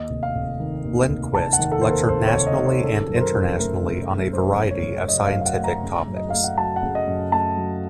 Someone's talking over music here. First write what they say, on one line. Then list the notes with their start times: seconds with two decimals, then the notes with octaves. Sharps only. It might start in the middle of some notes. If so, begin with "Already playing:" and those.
Lindquist lectured nationally and internationally on a variety of scientific topics.
Already playing: D#2 D#5
0.09 F1
0.23 F5
0.35 F1
0.60 D#3
0.84 D#2
1.09 F1
1.34 F1 A5
1.53 F#5
1.59 D#3
1.72 A4
1.81 D#2 C5
1.90 A#4
2.09 F1 C5
2.27 C#5
2.34 F1
2.47 D#5
2.59 D#3
2.65 C5
2.84 C#3 A4
3.09 F#2
3.16 C5
3.21 A#4
3.34 F#2
3.59 A3 A#4
3.83 C#3
4.08 F#2
4.33 F#2 C5
4.58 A3
4.71 C#5
4.83 C#3
5.08 F#2 D#5
5.27 F5
5.33 F#2
5.41 F5
5.46 F#5
5.58 A3
5.64 A#5
5.83 C#3
6.08 F#2
6.17 D#5
6.30 A3 F5
6.44 F#5
6.58 F#3 A5
6.76 F#5
6.83 C#3
6.95 D#5
7.07 F#2
7.32 A3 A5
7.57 F#3